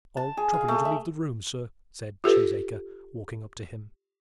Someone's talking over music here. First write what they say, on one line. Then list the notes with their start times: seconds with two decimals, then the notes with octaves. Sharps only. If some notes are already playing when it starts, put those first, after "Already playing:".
"I'll trouble you to leave the room, sir," said Cheesacre, walking up to him.
0.17 A5
0.37 G#4
0.53 F5
0.68 A3
0.85 E5
2.24 F4 G4 A4 B4